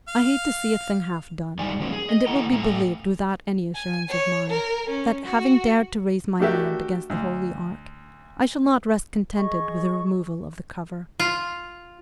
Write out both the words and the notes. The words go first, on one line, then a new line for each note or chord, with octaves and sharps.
I hate to see a thing half done; and it will be believed without any assurance of mine, that, having dared to raise my hand against the Holy Ark, I shall not rest contented with the removal of the cover.
F5
F2 G3 D#4 D5 G#5
F3 F#3 A#3 C#4
G#4
D#5
B3 E4 A4 F#5 G5 A#5
A2 A3 A4 A#5
G#5
C#5
A#4
C#4
F#4
A3 D4 F#4 G4 A#4 E5
D2
G#4 D#5 C#6
F4